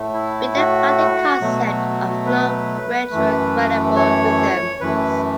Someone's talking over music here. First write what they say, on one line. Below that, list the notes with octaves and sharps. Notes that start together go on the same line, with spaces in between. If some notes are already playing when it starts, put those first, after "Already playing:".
We then find the concept of non retro-gradable rhythms.
Already playing: A2 A3
E4
F#4
B2 F#3 A3
B4
F#2 E3 A3
C#5
F#2 E3 A3 B4